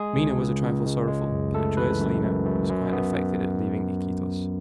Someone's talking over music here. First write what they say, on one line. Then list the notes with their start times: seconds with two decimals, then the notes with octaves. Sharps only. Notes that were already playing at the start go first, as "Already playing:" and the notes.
Minha was a trifle sorrowful, but the joyous Lina was quite unaffected at leaving Iquitos.
Already playing: G#3 G#4
0.16 C#2
0.38 C#2
0.62 C#2
0.85 C#2
1.08 G#3
1.32 F#2
1.54 A3 A4
1.77 E3 B4
2.00 F#2
2.24 F#2
2.46 F#2
2.70 F#2
2.93 B3